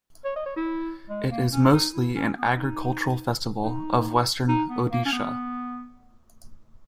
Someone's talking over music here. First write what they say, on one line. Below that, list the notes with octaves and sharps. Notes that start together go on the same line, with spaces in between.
It is mostly an agricultural festival of Western Odisha.
C#5
D#5
C#5
E4
G#3
A#3
C#4
D#4
E4
C#4
B3
D#4
D#4
D#4
B3
A#3
C#4
B3